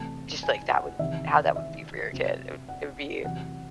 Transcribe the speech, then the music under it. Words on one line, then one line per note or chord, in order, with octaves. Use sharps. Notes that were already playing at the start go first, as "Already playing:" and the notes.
just, like, that would how that would be for your kid. It would it would be
Already playing: C3 E3 A3 C4 A5
G#5
F#5
E2 C3 D#3 E5
E5
C3 F#3 C4
F#5
E2 C3 F#3 F#5